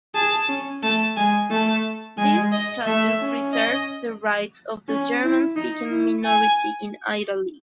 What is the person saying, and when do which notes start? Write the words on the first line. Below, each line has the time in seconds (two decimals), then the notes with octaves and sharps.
This statute preserves the rights of the German-speaking minority in Italy.
0.15 G#4 A5
0.48 C#4
0.83 A3 A5
1.16 G#3 G#5
1.50 A3 A5
2.18 G#3 G#5
2.52 D#5
2.86 A3 E5
3.20 C#4
3.53 D#5
4.88 C#4
5.23 E4
5.56 D#4
5.91 E4
6.24 G#5